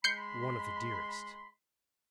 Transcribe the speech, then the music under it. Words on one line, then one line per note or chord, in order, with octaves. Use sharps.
One of the dearest.
G#3 B5 C6 G6 C7 C#7